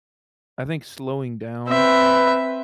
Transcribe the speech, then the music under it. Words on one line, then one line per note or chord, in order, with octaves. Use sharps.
I think slowing down
C4 B4 E5